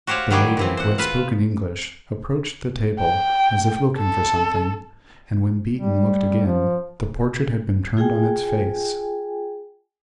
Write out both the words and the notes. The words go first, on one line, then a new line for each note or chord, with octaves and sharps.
The lady who had spoken English approached the table as if looking for something, and when Beaton looked again, the portrait had been turned on its face.
F#4 G4 C5 C#5 F5
D#3 F#3 G3 G4 G#4
A#2 E3 C4
C5 F#5
F4 B4 E5 F5
G5
A4
G3
F3
F4 G#4 G5 G#5